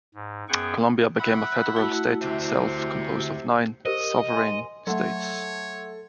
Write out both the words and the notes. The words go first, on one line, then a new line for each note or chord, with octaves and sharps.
Colombia became a federal state itself composed of nine "sovereign states".
G#2
F#2 B3 G#4 F#5 G5 C#6
E5 F#5 B5
A3 E4 F#4
D2 C3 E5
G4 A#4 C5 D#5
G#5 C6
F#3 A3 A4 C#5 E5 F#5 C6